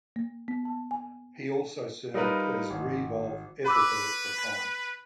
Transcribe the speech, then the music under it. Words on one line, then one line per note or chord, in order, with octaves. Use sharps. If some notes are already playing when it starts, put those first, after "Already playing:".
He also served as reeve of Ethelbert for a time.
A#3
B3
A5
G#5
G3 D#4 F4 A#4 B4
G#1
B4 B5 D6 E6